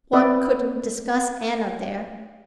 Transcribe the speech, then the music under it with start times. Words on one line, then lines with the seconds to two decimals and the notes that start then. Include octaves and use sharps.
One couldn't discuss Anna there.
0.13 C4 B4 D5 E5